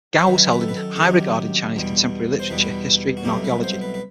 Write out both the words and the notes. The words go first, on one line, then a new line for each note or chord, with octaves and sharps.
Guo was held in high regard in Chinese contemporary literature, history and archaeology.
C5
F#2 D#3 F#3 B4
B4
A4
B4
A4
A4
F#2 D#3 F#3 G4
E2 B2 G3
C5
E2 B2 G3 B4
F#4
C2 B2 F#3 A3 G4
B4
C5
B4
B4